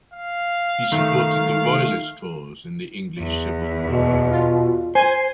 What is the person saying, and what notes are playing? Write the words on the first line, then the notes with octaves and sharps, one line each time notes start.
He supported the Royalist cause in the English Civil War.
F5
D#3 A3
E2
B2
F4
C5 G#5